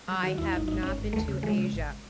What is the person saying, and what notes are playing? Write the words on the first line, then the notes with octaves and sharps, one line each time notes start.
I have not been to Asia,
F#3
D#3 F#4
D#2 E4
G#1 D#4
G#1 D#4
G#1 C#4
G#1
D#2 A3
C#3
E3 G#3
C#3
G#1